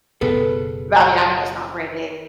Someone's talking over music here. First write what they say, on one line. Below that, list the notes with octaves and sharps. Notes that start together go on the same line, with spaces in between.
but I mean, I know it's not brand-new.
F#1 B2 B3 G#4 A4 B4